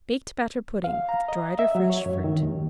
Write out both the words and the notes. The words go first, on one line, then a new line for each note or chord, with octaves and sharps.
BAKED BATTER PUDDING, with Dried or Fresh Fruit.
F5
A#5
D#5
E5
F#3
C#5
F#2
D#3
D#2